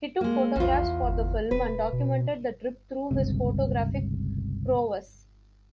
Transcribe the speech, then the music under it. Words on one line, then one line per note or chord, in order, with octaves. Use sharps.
He took photographs for the film and documented the trip through his photographic prowess.
G#3 A#3
A#1 E2 F4
G1
E1 B4
B2
G1 C#2 G2 C3